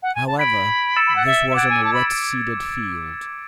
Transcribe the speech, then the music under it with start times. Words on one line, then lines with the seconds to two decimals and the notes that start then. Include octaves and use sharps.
However, this was on a wet-seeded field.
0.02 F#5
0.15 G#5
0.27 A5
0.38 B5 G#6 B6 D7
0.96 E6 A6 C#7 E7
1.06 B5
1.16 F#5
1.26 E5
1.50 E5
1.54 F#5 D6 G#6 D7
1.69 G#5
1.84 A5
1.93 B5